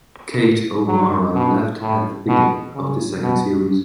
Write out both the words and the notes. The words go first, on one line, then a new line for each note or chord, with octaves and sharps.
Kate O'Mara left at the beginning of the second series.
F#3
B2
A2
B2
C#3
B2